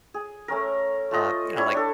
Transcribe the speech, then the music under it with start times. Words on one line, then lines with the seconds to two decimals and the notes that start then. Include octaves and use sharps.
uh, you know, like
0.14 G#4
0.48 A3 C#4 A#4
1.11 A3 F4 D#5
1.56 G3 D4 E4 C#5
1.74 D4 A4